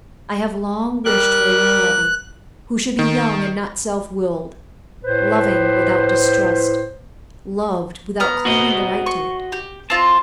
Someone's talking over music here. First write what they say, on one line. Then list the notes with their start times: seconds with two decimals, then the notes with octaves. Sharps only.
I have long wished for a young lover, who should be young and not self-willed, loving without distrust, loved without claiming the right to it.
1.05 G3 A#4 F#6
2.99 D#3
5.04 A2 B4 C5
8.20 B3 A#5 F6
8.45 F#4 C5 D#5
9.06 C#6
9.52 G4
9.90 C4 F4 A5